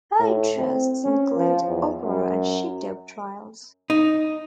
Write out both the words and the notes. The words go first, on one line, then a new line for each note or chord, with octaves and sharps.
Her interests include opera and sheepdog trials.
A2
C4
C#4
F3
E2
F#2
D#4